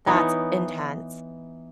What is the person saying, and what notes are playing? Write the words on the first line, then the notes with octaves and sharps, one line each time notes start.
That's intense.
E3 B3 D#4 C#5